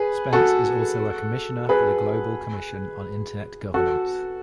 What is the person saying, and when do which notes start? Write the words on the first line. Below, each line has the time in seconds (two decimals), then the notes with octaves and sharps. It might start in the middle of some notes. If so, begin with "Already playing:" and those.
Spence is also a Commissioner for the Global Commission on Internet Governance.
Already playing: G#4 B4
0.33 F#4 A4
1.69 G#4 B4
3.74 F#4 A4